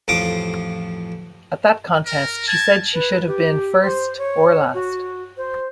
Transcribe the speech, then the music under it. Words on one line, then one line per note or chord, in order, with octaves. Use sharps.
At that contest, she said she should have been "first or last".
A1 F2 F3 F5 D6 D#6
A#4
A5 G#6
B4
G4
C5
C#5
F#4
C5